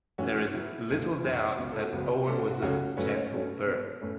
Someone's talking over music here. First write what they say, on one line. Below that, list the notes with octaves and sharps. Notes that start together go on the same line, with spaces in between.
There is little doubt that Owen was of gentle birth.
A2 E3 C#4 F#4
B2 F#3 B3 E4
C#2 B2 A3
F#2 F#3 B3
C#2 B2 B3 F#4
A4
F#4
C#2 C#3 F#3 B3
B2 A3 C#4 A4
F#4
F#4
C#2 C#3 F#3 A3 C#4 F#4
A2 F#3 A3 C#4 B4
C#5
B2 F#3 A3 C#4
B2 B3 C#5
A2 A3 C#4 B4